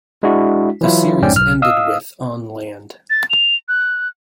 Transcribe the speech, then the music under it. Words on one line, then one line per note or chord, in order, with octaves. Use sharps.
The series ended with "On Land".
G#3 D4 E4 F#4
E3 F#3 E4 F4
G1 F2 G#2 C#4 D5 G5
B1 F6
D#5 F5 D#6 E6
A6
F7
F#6